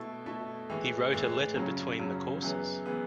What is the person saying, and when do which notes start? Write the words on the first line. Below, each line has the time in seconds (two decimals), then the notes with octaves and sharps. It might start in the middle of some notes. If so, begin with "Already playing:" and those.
He wrote a letter between the courses.
Already playing: B2 A3 E4 A4
0.26 B2 A3 E4 A4
0.70 A2 E3 G#3
1.13 A2 E3 G#3
1.56 F#2 C#3 F#3 C#4
1.99 F#2 C#3 F#3 C#4
2.42 F#2 E3 G#3 B3
2.86 E3 G#3 B3